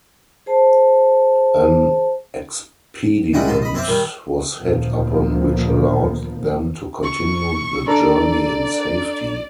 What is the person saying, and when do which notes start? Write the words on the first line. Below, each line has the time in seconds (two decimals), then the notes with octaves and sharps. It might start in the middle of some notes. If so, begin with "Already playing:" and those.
An expedient was hit upon which allowed them to continue the journey in safety.
0.46 G#4 C5 A5
3.33 G3 G#3 E4 F#4 C#5 D#5
3.47 D#2 G#2 D#4 A5 C6
3.62 D#5 B5
3.74 C4 C5 C#5 E5 D6
3.87 D#3 G3
4.56 D2 A#2 D#3 F3 A#3 B3
7.03 C#6
7.88 D4 A4 D5 A#5